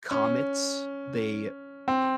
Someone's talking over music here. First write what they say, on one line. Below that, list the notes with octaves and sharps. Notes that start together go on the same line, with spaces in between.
comets, they
C#4
C4